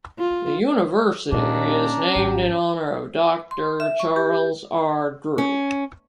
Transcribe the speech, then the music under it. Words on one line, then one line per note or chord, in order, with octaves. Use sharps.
The University is named in honor of Doctor Charles R. Drew.
F4
D#2 A#2 C#4 D4 A#5
G#1 G4
C6
E5
C#6
G4
C#4